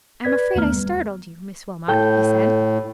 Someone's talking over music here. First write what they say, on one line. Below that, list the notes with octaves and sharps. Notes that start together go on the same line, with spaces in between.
"I am afraid I startled you, Miss Wilmot," he said.
B4 D5 G#6 B6
D#2 A3 B3 A#5 F6
G3
A2 A4 G5 G6